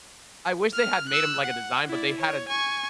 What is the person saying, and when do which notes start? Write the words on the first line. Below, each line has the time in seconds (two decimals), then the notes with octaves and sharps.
I wish they had made 'em like a design, but they had a
0.74 F6
1.09 E6 F#6
1.43 F#5
1.88 E4 D5
2.18 C#5
2.48 G#5 C#6